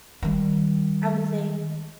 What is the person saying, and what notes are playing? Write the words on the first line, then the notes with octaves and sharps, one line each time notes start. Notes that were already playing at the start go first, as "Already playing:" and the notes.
I would say
D#3 G3